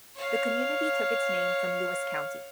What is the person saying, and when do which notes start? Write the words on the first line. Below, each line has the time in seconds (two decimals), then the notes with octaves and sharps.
The community took its name from Lewis County.
0.15 C#5 F5